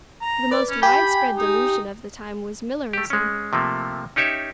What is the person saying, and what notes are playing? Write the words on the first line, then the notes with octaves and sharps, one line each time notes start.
The most widespread delusion of the time was Millerism.
A#5
B4 D5
C#4
G4 G#5 B5 G6
D#4
A3 G4
G#3 C#4
C3 F3 A3 A#3
C#4 D#4 G4 C#5 E5